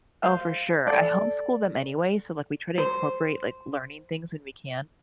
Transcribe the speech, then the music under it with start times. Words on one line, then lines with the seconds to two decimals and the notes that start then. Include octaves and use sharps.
Oh, for sure. I homeschool them anyway, so, like, we try to incorporate, like, learning things when we can,
0.23 C5 F5
0.87 A4 D5
2.78 C5